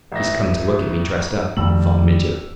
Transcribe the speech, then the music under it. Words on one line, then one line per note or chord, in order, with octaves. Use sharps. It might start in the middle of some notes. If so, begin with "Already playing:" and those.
"He's come to look at me dressed up," thought Mitya.
A1 E5 A#6
F2 D#3 G3 A3 E6 F#7